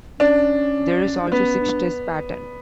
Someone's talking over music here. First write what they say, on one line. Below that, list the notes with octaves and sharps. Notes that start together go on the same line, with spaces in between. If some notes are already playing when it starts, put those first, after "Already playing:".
There is also six-stress pattern.
C#4 D4
D4
B3 C#4
D4